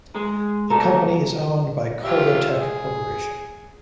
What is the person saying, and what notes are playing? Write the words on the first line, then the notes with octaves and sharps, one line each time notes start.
The company is owned by the Cargotec Corporation.
G#3
B2 A3 A4 A#4
F4 G4 E5
G#4